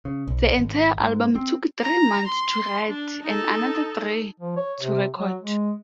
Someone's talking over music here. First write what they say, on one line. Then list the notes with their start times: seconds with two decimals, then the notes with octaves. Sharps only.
The entire album took three months to write and another three to record.
0.05 C#3
0.27 B1
0.58 G#1
1.00 G#2
1.35 C4
1.83 A#5
2.27 C6
2.88 D4
3.23 D#4 A4
4.40 F3
4.56 C#5
4.81 C3
5.18 F#3
5.41 G#3